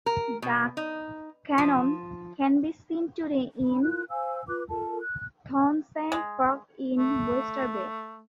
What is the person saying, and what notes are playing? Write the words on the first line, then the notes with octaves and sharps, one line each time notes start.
The cannon can be seen today in Townsend Park in Oyster Bay.
A#4
B2
D#4
F3
C#4 B5
E4 F4 A#4 F#6
C5 F5 G#5 E6
F4 B4 D6 F#6
F4 A4 A#4 A5
F#6
G#3
A3